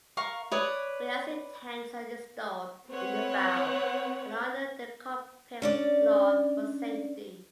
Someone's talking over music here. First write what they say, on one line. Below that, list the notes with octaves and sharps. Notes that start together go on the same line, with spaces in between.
Buoyancy tanks are installed in the bow and under the cockpit floor for safety.
A#4 F5 C#6
B4 C#5 D5 D#6
C4 B4 C#5 F#5
C#4 D4 D5